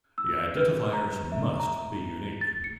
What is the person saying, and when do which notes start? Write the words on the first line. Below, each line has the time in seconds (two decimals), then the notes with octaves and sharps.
The identifiers must be unique.
0.18 E6
0.56 B4
0.93 A#5
1.32 E5
1.60 A#5
2.41 A6
2.64 C#7